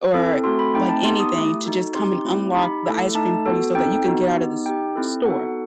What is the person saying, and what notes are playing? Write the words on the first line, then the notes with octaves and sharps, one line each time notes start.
or, like, anything to just come and unlock the ice cream for you so that you can get out of the s store.
C4 E4 A4
A3 C4 F#4 A4 C6
B5
A3 C4 D#4 G5
A5
B3 D#4 G4 C6
D#6
A3 E4 G4
D#4 F#4 A4
C4 D#4 G4 C6
A3 C4 E4 G4
D#4 G4 B5
A3 E4 A4
A3 D#4 A4 A5
B3 F#4 A4
C4 D#4 A4 G5
B3 D#4 F#4
B3 D#4 G4
D#4 G4 G5
C4 E4 A4
B3 D#4 F#4 A4 F#5